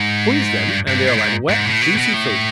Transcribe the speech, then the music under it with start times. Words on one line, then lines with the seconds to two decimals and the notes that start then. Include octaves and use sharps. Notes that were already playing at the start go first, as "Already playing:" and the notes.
Squeeze them, and they are like wet, juicy fruit.
Already playing: G#2
0.68 G2
0.88 G2
1.07 A2
1.16 G#2
1.49 G#2
1.65 A2
1.82 B2
1.97 B2
2.14 A2